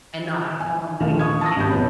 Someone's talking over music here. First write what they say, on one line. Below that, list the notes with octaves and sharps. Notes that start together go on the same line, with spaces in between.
and not have someone tell you you can't.
G#5
A#1 D#2 D#3 F3 A3 F5
C#6 D#6 G#6
A5 C#6 D#6 E6 A#6
G#1 F#2 G4 A5 B5 G6
E1 B2 F3 B4 C#5